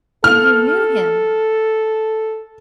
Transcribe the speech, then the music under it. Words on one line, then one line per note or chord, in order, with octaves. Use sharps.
And YOU KNEW HIM.
A4 F6